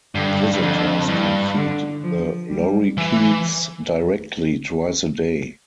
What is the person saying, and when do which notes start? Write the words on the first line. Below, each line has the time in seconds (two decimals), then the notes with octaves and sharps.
Visitors can feed the lorikeets directly twice a day.
0.14 G2 D3
0.54 G2
0.61 F2 D3
1.08 G2 E3
1.56 D3
2.03 F3
2.50 G3
2.97 E3